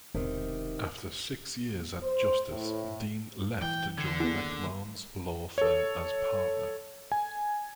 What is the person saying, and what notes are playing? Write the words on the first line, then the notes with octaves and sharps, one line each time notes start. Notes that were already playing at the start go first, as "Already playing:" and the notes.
After six years at Justice, Dean left to join McMahon's law firm as partner.
E1 C3 D#3
C5
A2
E3 G5
D3 G#6
D#2 B3 E4 F#4 G#4
A4 C#5
G#5